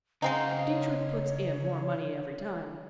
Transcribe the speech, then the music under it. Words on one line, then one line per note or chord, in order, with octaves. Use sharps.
Dietrich puts in more money every time.
C#3 G#3 C4 D#4 F#4 F5
C#5